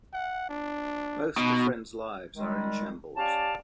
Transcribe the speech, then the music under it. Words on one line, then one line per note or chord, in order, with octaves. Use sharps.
Both the friends lives are in shambles.
F#5
D4
B2 D#4
D#3 G3 G#3
C#4 G4 D5 F5 A5